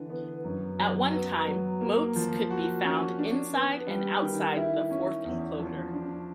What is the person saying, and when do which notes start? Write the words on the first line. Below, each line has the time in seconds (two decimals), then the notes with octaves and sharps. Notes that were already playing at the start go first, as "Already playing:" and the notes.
At one time, moats could be found inside and outside the fourth enclosure.
Already playing: D3 E3
0.10 B3
0.44 F#2
0.79 F#3
1.13 B3
1.47 F#3
1.81 A#3
2.16 F3
2.50 F#4
2.85 C#4
3.19 D4
3.53 B3
3.87 G3
4.22 D#3
4.57 E4
4.91 C#4
5.25 E2
5.59 F3
5.94 D4